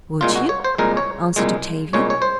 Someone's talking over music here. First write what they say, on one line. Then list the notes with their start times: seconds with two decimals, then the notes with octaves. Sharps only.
"Would you?" answered Octavia.
0.21 C2 A#2 G#3 F4
0.36 F#4
0.49 C#5
0.64 C5
0.78 C2 A#2 G#3 A#4
0.97 C#5
1.36 C2 A#2 G#3
1.93 C2 A#2 G#3 C#5
2.10 C#5
2.22 C5